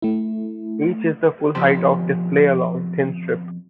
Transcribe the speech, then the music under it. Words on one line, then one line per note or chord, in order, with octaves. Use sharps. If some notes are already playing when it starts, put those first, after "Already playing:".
Each is the full height of the display-a long, thin strip.
A3 E4
F2 B2 F3 G4 C5